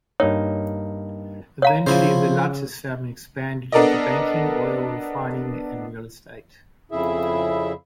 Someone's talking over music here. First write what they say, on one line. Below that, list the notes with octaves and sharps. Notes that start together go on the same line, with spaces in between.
Eventually the Latsis family expanded into banking, oil refining and real estate.
G2 A#3 D#4 C#5
C#5 F5 A#5
C#3 F3 E4 C5
B3 D4 A4 A#4 D5 D#5
F2 C#3 E4 G#4 E5